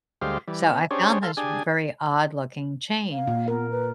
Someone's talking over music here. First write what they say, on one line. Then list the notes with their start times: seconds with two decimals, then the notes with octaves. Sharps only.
So I found this very odd-looking chain,
0.21 D2 G3 G#3 G4 C5 F5
0.48 E3 G3
0.70 B3
0.91 C#4 D4 G4 G#4 C5 C#5
1.23 A4 F5 C6
1.37 D4 G4 G#4 G#5
3.11 F5
3.27 A#2
3.48 B3 A#4
3.70 B4